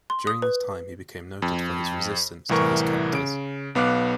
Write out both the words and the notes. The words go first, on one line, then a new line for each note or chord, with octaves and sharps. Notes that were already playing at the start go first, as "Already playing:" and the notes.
During this time he became noted for his resistance to his captors.
C6
D#6
B4
F2
C2 A2 E3 A#4 C#6
C#3 D7
B1 B3 F5 D6 F#6